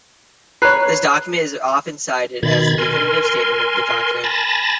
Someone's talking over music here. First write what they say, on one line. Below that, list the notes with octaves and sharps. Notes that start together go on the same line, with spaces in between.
This document is often cited as the definitive statement of the doctrine.
B4 C#5 A#5 F#6 C7
B2 D#3 B5 G#6 A6
A#4 G#5 C6
G#5 A5 B5 A6 A#6